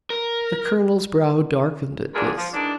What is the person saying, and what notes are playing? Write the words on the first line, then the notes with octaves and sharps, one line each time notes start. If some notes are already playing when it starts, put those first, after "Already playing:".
The Colonel's brow darkened at this.
A#4
D2 G2 A#2 D4 G#4 A#4
F3
D#3 E3 G#3 D4